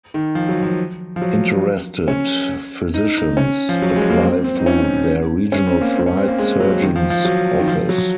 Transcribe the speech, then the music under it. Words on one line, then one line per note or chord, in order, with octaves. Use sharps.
Interested physicians apply through their regional flight surgeon's office.
D#3
F3
F#3
F3
F3
F#3
C#4
D#4
D#4
C#4
F3
F#3
G#3
A#3
C4
C4
D#4
C#4
C#4
C4
A#3
C4
C#4
C4
A#3
G#3
F#3
D#3
F3
F3
F#3
D#3
F3
F#3